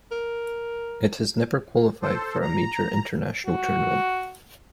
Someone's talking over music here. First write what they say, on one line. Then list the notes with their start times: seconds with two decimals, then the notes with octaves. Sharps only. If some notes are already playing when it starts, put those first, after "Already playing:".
It has never qualified for a major international tournament.
0.12 A#4
2.02 A4 C5
2.42 A#5
3.46 F#4